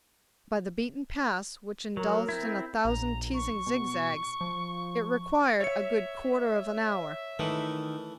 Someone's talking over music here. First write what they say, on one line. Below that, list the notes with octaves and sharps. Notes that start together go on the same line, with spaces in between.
By the beaten paths, which indulge in a thousand teasing zigzags, it required a good quarter of an hour.
F#3 A#4
C4 E4
A#1 A#5
C#6
B2
F3
C#5 E5 C#7
D#3 E3 A3